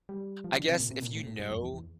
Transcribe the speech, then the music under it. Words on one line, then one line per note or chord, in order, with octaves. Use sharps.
I guess if you know
G3
F3
D3
C3
A#2
C3
A#2
A2
A2
G2
F2
E2
E2